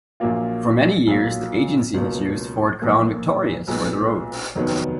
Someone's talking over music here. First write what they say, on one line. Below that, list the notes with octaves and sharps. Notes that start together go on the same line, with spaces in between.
For many years, the agency has used Ford Crown Victorias for the road.
A#1 A#2 F#3 A#3 F4
B1 A#2 F#3 A#3 F4
C#2 B2 F#3 A#3
B1 A#2 F3 A#3
B1 A#2 G#3 B3
F1 D#2 D#3 F#3 B3